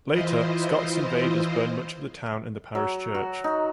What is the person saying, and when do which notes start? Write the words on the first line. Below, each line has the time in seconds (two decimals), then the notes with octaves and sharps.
Later, Scots invaders burned much of the town and the parish church.
0.11 E3 E4 F4 C5 D#5
2.75 F#3
3.15 F#4
3.44 D#4